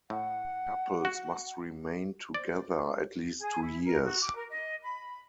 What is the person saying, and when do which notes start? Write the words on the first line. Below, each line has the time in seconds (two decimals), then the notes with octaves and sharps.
Couples must remain together at least two years.
0.10 A2 F#5
1.05 F#4
2.34 C5 D5
3.39 G#4
3.61 E4
3.84 A#4
4.04 F#4
4.21 D6
4.35 A#4
4.49 D#5
4.83 B5